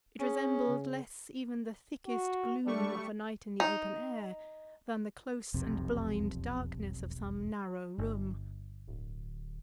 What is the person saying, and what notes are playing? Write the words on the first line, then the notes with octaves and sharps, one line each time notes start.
It resembled less even the thickest gloom of a night in the open air than the close and blind darkness of some narrow room.
C#4 G#4
C#3
F#4
G3 A3 D4 C#6
D#4
E1 B1 F2 C3
G1
D1